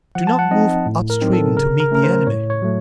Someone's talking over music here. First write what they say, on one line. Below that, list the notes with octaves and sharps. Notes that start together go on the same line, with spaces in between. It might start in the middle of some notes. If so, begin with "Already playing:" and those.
Do not move up-stream to meet the enemy.
F3 F#5
A5
F#5
C4 D#4 D#5
A2
A#4
F#3 C4 D#4
A4
C#3 A#4
A#4
A3 C#4 A#4
C5
A2 C#5
C#5
F#3 A3